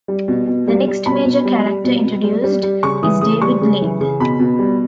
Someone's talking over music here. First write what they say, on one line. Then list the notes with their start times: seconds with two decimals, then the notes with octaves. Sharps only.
The next major character introduced is David Lind.
0.08 G3
0.28 B2
0.47 B2
0.68 G3
0.87 G3
1.06 B2 B5
1.26 B2
1.45 G3
1.66 G3
1.84 B2
2.05 B2
2.24 G3
2.44 G3
2.63 G3
2.83 C#3 C#6
3.03 E3 D#6
3.21 C#3 D#6
3.41 G3 C#6
3.61 C#3
3.81 E3
4.00 C#3
4.20 B2 B5
4.39 B2
4.59 G3